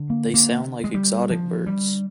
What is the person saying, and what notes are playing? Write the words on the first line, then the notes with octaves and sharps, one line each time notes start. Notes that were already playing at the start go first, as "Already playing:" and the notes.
They sound like exotic birds.
Already playing: D3
A#3
A#3
G#3
G3
F3
G3